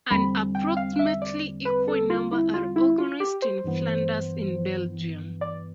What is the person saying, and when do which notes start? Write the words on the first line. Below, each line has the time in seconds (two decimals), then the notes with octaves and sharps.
An approximately equal number are organised in Flanders in Belgium.
0.10 E2 D3 G3 C4 B5
0.55 G5
0.77 F5
0.99 E5
1.22 D5
1.65 B4
1.88 A4
2.10 F4
2.32 E4
2.54 F4
2.76 E4
2.98 F4
3.20 G4
3.42 C5
3.64 G2 E3 B3
5.41 D5